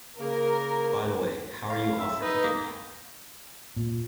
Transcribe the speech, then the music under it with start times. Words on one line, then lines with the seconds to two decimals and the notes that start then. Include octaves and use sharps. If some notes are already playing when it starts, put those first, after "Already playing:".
By the way, how are you off for cricket now?
0.19 C#3 A#3 A#4
1.70 F5
1.99 E5
2.22 D#4 B4
2.43 A#3
3.76 A#2